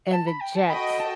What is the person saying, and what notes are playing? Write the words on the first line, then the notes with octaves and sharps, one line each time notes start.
and the jets,
A5
B5
G5
A5
F#4 A4 D#5 G5 B5
A5